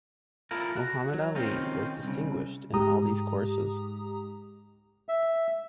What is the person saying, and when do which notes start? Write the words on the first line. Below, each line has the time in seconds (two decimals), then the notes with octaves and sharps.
Mohammad Ali was distinguished in all these courses.
0.51 E4 F4 A4 A#4
0.76 F#4
1.13 F#3
1.35 D#3 C4 C#4 F4
2.03 C2 C#3
2.73 G#2 G#3 G4 A#5 D#6
5.09 E5